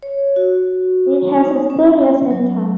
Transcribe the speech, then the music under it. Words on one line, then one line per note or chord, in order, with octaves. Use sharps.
It has a stereocenter.
C#5
F#4
D#4
C#4
F#3